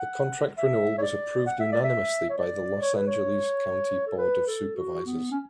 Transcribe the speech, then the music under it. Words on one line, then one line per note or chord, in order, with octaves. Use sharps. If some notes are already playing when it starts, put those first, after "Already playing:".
The contract renewal was approved unanimously by the Los Angeles County Board of Supervisors.
Already playing: F#5
E5
C#5
D5
F#5
E5
D5
E5
C#5
D5
C#5
B4
C#5
A4
B4
A4
F#4
B3
C#4